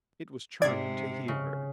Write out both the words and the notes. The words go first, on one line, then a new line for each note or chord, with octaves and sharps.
It was charming to hear her.
G#2 C3 D5 G#6
C#3